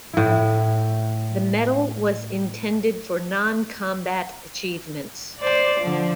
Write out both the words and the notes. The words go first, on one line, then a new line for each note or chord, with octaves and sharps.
The medal was intended for non-combat achievements.
A2 E4
C5 D5
D3 F3